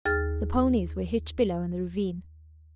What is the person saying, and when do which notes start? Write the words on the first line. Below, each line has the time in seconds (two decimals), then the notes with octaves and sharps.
The ponies were hitched below in the ravine.
0.06 D#2 G#4 F6 A6